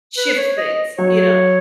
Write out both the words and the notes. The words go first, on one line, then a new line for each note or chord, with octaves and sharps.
shift things, you know,
B4
C#5
D#5
F#3 C#5